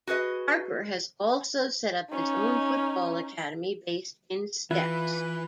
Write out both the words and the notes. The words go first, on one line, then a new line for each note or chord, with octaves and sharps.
Harper has also set up his own football academy based in Stepps.
F#4 G#4 B4 D#5
C#4 D#4
E3 F4 B4 E5